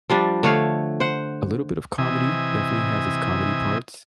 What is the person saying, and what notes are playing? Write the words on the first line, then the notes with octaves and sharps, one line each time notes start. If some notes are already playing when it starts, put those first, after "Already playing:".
a little bit of comedy, definitely has its comedy parts,
F3 G3 D4
D3 A3 C#5 F5
C5 F#5
C3 E3 D#5 E5 G#5 D#6